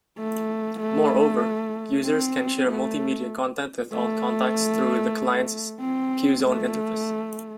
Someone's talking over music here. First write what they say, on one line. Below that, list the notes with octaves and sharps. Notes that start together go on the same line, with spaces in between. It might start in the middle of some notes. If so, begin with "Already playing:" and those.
Moreover, users can share multimedia content with all contacts through the client's Qzone interface.
A3
A3
C4
A3
A3
C4
A3